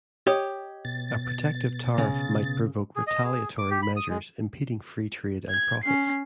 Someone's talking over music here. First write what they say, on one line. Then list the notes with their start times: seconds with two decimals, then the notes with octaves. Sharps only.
A protective tariff might provoke retaliatory measures, impeding free trade and profits.
0.27 G4 C#5 D#5
0.85 B2 A6
1.98 C#3
2.96 G#4
3.07 D#5
3.24 G#4
3.58 D6
3.70 G4
3.83 B5
3.97 D#6
4.10 G#3
5.50 G#6
5.84 C#4 C7